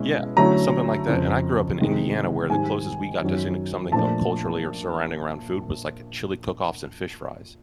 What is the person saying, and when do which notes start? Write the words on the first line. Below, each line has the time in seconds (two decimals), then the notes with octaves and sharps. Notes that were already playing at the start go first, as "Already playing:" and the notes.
Yeah, something like that, and I grew up in Indiana where the closest we got to seeing something cu culturally or surrounding around food was, like, chili cook-offs and fish fries.
Already playing: B2 G#3 C#4 E4
0.37 D3 F#3 A3 C#4 E4 A#5
1.08 F2 C#3 F3
1.80 C3 D#3 G#3
2.50 G#2 D#3 G3 G#5
3.22 F#2 D#3 F#3
3.92 A#2 F3 A3 D4 A5